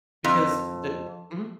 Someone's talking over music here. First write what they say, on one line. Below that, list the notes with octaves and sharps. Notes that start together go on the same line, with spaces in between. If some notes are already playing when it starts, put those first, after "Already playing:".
because the mhm.
F2